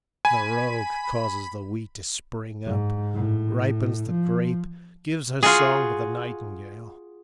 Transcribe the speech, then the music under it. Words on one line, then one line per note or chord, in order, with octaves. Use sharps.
The rogue causes the wheat to spring up, ripens the grape, gives her song to the nightingale.
G#5 B5
G#2
A2
F3
F4 F#4 G#4